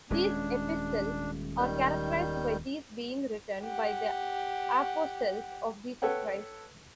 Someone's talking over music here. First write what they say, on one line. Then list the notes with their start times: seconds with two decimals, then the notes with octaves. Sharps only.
These epistles are characterized by these being written by the apostles of Jesus Christ.
0.10 D#1 G#3 C#4 D4
1.58 D#3 G3 G6
3.62 G4 F#5
6.02 A4 B4 C#5 F#5 G5